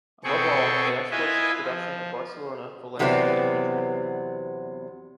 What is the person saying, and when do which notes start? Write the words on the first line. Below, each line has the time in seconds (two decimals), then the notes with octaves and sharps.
Above all, it exports its production to Barcelona, Valencia and Madrid.
0.24 B2 C4 G#4 A4 G5 C#6
1.11 E4 F4 B4 D#5 E5 G#5
1.63 F3
2.99 E2 C3 F#3 B3 C4 D5